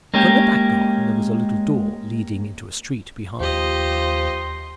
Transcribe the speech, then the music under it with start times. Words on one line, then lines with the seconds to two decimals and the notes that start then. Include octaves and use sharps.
From the back garden there was a little door leading into a street behind.
0.14 G#3 A#3 C#4 G4
3.40 D#2 F3 G4 D#5 C6